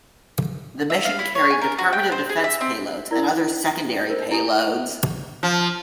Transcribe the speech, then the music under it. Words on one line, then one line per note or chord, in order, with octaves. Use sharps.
The mission carried Department of Defense payloads and other secondary payloads.
E5
F5
E4
C#5
G#5
A#4
F#4
G5
C5
G#4
E5
C4
E4 A#4 D5
A#4 C5
E4 G4 G#5 D#6
F3